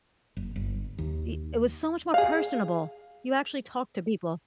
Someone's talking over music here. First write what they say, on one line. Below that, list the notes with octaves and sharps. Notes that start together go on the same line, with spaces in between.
i it was so much more personable. You actually talk to people.
F#1
G1
D#2
G#4 F5